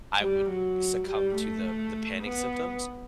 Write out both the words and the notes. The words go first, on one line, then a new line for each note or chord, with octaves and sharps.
I would succumb to the the panic symptoms,
G3
F#3
G3
A3
B3